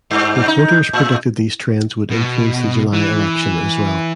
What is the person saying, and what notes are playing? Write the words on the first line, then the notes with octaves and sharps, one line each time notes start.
Reporters predicted these trends would influence the July election as well.
G2
D#4
A2
B2
E3